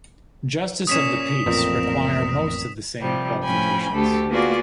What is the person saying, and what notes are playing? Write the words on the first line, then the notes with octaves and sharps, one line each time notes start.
Justices of the peace require most of the same qualifications.
A#2 C#4 D#6 B6 E7
A1 F2 A#2 C4 A#4
C3 F3 G3
A2 F3 C#4 G5 G#5 B5
D2 D3 A3 G4 A4
A#3 B3 F4 F#4 G#4 D5